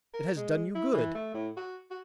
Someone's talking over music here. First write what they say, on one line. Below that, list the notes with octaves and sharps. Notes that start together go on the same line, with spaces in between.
It has done you good?
A#4
G#3
E4
E3
A3
A2
F#4
F#4